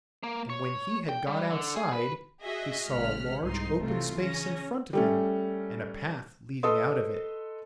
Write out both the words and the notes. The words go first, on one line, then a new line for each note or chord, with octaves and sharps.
And when he had got outside, he saw a large open space in front of him, and a path leading out of it.
A#3
C#5
G5
G3
D3
G#4
B4
F#4 G#4 D#5 E5
A1 C#3 G#3 F#5 F6 B6
C2 G#2 D#4 C6
C3 E3 F#3 A3 F4
C#3 C#4 A#6
G3 A3 C#4
A4 B4 D#5 C6 D#6